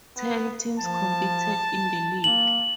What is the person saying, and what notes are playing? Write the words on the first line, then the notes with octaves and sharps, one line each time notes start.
Ten teams competed in the league.
B3
F3 A5
A#3 F#7